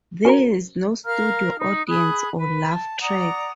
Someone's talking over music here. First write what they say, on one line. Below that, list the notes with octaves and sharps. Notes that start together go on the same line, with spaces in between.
There is no studio audience or laugh track.
C#4 F#4 A#4 C5 A#5
A#4 F5 A#5 F6
D#4
G#4 B5 D#6 F#6
B4
A5
D5 F#5 A#5 D#6